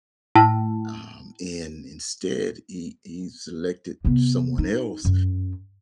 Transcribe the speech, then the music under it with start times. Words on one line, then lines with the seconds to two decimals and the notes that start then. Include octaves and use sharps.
um, and instead, he he selected someone else,
0.35 A2 A5
4.05 C3 B3
4.58 D#4
5.05 F#2